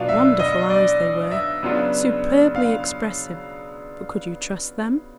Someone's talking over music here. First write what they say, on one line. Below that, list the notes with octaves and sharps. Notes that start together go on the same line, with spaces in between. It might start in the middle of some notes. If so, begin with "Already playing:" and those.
Wonderful eyes they were, superbly expressive, but could you trust them?
Already playing: B2 F#3 B3 D4 F4 F5
E5
D#5
D5
E5
C#3 F#3 B3 D4 F4
F5